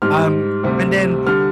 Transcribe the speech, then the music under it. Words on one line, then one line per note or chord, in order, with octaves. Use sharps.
Um, and then
G#2 G3 F6
D2 C3 G3
D3 G3 F6